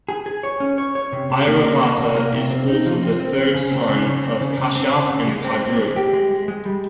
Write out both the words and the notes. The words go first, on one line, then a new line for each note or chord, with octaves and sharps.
Airavata is also the third son of Kashyap and Kadru.
G#4
G#4
C#5
C#4
C#5
C#5
C3
C3
A#3
A#3
A#3
C3
A#3
C3
C4
D#4
F3
C4
C4
C4
C#3
C4
C#3
C#3
C4
C#3
C#3
C4
C#3
C#3
G#3
C4
C4
G#3
G4
G#3
G#3
G#3
G3